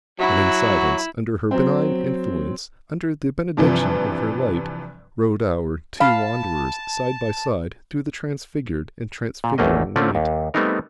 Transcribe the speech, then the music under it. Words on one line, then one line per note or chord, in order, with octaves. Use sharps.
And in silence under her benign influence, under the benediction of her light, rode our two wanderers side by side through the transfigured and transfiguring night.
F#3 E4 F#4
F#3 C4
G2 C3 E3 F3
F5 A5 B5
A#2
A1 E2 A3 A#3 D#5
D3 A3 C4 C#4 F4 D5
D#2
G3 A3 B3 C4 D#4 A#4